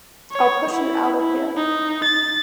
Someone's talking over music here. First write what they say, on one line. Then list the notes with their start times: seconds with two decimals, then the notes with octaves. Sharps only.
I'll push you out of here.
0.32 C#5
0.73 E4
1.21 E4
1.56 D#4
2.03 A6